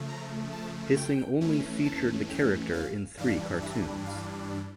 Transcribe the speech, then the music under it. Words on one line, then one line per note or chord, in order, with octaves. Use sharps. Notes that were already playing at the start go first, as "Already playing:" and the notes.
Ising only featured the character in three cartoons.
Already playing: C#3 F3 A3
A#5
A5
G5
E2 E3 A3 C#4
A5
G5
F5
G2 E3 G3 D4 F5
E5
F5